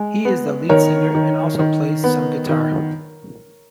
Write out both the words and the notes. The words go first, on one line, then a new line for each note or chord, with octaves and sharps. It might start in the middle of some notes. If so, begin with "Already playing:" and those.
He is the lead singer and also plays some guitar.
Already playing: G#3
B3
D#3 A#4 C#5
D#3
D#3
B3
D#3